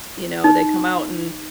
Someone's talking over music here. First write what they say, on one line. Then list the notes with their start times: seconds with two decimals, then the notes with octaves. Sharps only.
you know, they come out and
0.44 D#4